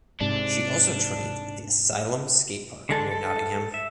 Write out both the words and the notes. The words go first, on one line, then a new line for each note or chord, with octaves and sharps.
She also trains at the Asylum skate park near Nottingham.
G#2 C3 D4
D3 G#3 A4
A4
E5